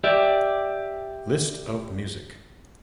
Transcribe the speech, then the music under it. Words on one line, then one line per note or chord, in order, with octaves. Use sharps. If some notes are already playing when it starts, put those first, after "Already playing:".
List of music.
G4 D5 E5